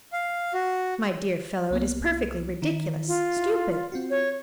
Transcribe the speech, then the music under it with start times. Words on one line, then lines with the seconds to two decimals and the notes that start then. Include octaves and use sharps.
My dear fellow, it is perfectly ridiculous--stupid!
0.13 F5
0.54 F#4
1.71 C2 A#3 B3
2.62 D#3 E4
3.07 F4
3.37 E4
3.92 C4 F4 F#4
4.10 C#5